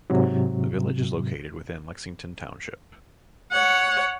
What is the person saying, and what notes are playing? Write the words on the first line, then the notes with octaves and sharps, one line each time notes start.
The village is located within Lexington Township.
G#2 C3 F#3
C#5 F#5